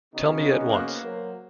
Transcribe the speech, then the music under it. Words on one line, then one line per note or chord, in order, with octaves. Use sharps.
Tell me at once.
C#3 B3 C#4 D#4 F#4
A#3 C5 F#6
F#3 A#4